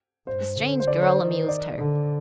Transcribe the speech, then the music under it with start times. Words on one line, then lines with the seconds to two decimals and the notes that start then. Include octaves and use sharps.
The strange girl amused her.
0.27 G2 C5
0.58 D3
0.80 C5
0.87 D3 D5
1.02 C5
1.18 D#3
1.49 D5
1.78 D3